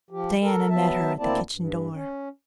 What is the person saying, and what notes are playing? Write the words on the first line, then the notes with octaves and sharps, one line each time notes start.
Diana met her at the kitchen door.
F3 G4
A4 A#4
F#3 B3 E5 A5
D2 A#3 C4 E4 D5 A5
G2
C#4